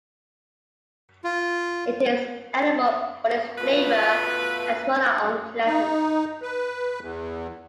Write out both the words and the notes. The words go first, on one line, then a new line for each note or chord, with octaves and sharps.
It is edible but its flavor and small are unpleasant.
F4
B2 A3 F4 B4
D#4
B4
E2